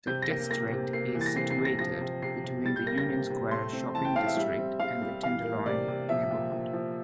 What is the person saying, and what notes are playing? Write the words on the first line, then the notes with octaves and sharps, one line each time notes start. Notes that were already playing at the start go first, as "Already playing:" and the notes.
The district is situated between the Union Square shopping district and the Tenderloin neighborhood.
C3 G6
A#6
A#3
A#3 A#6
C3
A#3 C7
E3
A6
A#6
C3 C7
C7
C3
A#6
F3 A#6
C3
C3 C7
C3
G3 A6
G6
A#3 A#6
A#6
C3
C3
A3 C6
C4
E3 A5
G5
A2 F5
E5
G3 E5
C4
G3 F5
G3
E3 F5
A#3
C3 D5
C3
F3 E5
A#2
A#2
F3